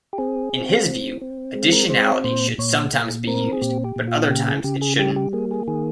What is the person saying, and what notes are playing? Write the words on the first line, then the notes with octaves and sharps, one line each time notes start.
In his view, additionality should sometimes be used, but other times, it shouldn't.
G4
C4 G#4
C4
C4
C4
G#3
A#4
C4 C5
C#5
A#2 C5
A#2 C#5
A#2
C4 A#4
G#4
A#2 G4
G4
A#2
F4
C#3 G4
G#4
C#3 G4
G#4
G3 G4
G4
A#3 G#4
G#4
D#3 G#4